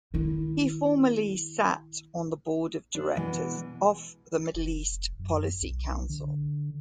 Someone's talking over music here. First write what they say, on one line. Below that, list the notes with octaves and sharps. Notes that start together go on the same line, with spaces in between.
He formerly sat on the Board of Directors of the Middle East Policy Council.
D#3 E4
D4
B2 E3 G#3 B3
F1
F#2
B1
D3